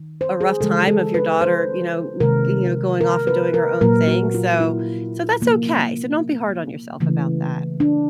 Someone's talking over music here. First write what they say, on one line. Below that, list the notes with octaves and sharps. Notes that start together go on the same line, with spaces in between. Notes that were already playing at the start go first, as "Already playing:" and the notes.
a rough time of your daughter, you know, g you now, going off, and doing her own thing, so so, that's okay, so don't be hard on yourself about that.
Already playing: D#3
C5
G#4
C#3 E3 G#3 A4
A4
B4
C5
C3 D#3 G#3 A#4
A#4
B4
A#4
A#2 F#3 A#3 A#4
F#4
F4
E4
C3 F3 A#3
C#3 E3 A3
D4